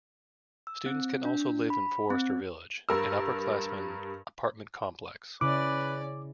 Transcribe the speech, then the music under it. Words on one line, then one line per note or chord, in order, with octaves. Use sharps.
Students can also live in Forester Village, an upper class-man apartment complex.
E6
C4
D4
B5
C4
G2 A#4 E6
C#3 C#4 E4 B4 D5 D6